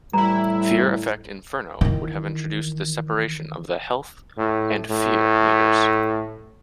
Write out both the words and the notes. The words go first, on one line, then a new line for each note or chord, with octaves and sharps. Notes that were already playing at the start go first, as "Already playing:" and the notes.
"Fear Effect Inferno" would have introduced the separation of the "Health" and "Fear" Meters.
A2 E3 G3 E4 A#5
D#3 E3
A2
A2